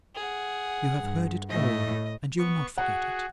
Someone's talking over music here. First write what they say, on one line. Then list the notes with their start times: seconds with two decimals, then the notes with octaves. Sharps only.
'You have heard it all, and you'll not forget it.
0.15 G#4 F#5
1.00 G2
1.49 A2 A3 D#5
2.38 B3 C#6
2.78 F#4 G#4 F#5